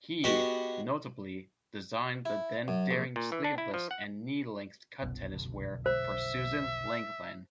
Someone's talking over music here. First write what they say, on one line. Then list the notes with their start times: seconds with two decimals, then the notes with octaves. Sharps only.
He, notably, designed the then-daring sleeveless and knee-length cut tennis wear for Suzanne Lenglen.
0.24 G#3 B3 F#4 G4
2.25 E4
2.68 F#2
2.91 A#1
3.16 A#2
3.32 E3
3.44 D4
3.58 E4
3.74 F3
3.91 F#5
5.03 F#1 C2 B2
5.34 B1 F2 D3
5.86 C5 E5